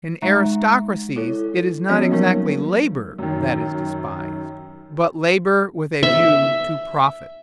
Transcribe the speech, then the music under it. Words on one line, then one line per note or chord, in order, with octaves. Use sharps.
In aristocracies it is not exactly labor that is despised, but labor with a view to profit.
G#3 D#4 E5 A#5
E4 A4 C#5
F3 F#3 B3 C#4 F#4 C#5
F3 G3 A#3 D#4 A#4 C#5
F#2 D#3
E5